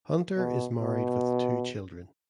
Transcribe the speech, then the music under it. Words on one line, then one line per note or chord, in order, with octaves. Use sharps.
Hunter is married with two children.
B2
B2